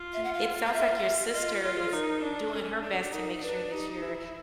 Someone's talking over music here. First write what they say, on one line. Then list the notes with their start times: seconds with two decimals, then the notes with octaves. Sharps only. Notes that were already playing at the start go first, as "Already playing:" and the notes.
you kn it sounds, like, your sister is doing her best to make sure that you're
Already playing: F4
0.14 E5
0.24 F#5
0.33 F5
0.66 F5
0.73 E5
0.98 F5
1.03 E5
1.33 F4 D#5
1.55 D5
1.62 F4 C#5
1.74 G#4
1.83 A4
1.92 D#4 A#4
2.22 D4
2.53 C#4 A4
2.82 D4 A4
3.12 D#4 A#4
3.42 D4 B4
3.72 D#4 G4
4.02 E4